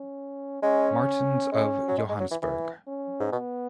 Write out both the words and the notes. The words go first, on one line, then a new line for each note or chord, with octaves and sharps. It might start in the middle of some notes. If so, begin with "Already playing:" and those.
Martins of Johannesburg.
Already playing: C#4
G#3 C#4
G#3 C#4
F#3
G#3
G#3
F#3
E3
E3
C#4
G#2
B2 B3